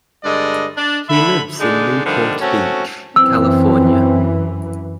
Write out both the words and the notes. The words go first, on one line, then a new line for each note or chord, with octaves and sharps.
He lives in Newport Beach, California.
G2 D3 G#3 D5 D#5
D4
D3 A3 E5 B5
D3 G#3 D#4 D5
D3 D#3 F3 G3
A3 C4 C#4 F#4
F#2 E3 C4 E6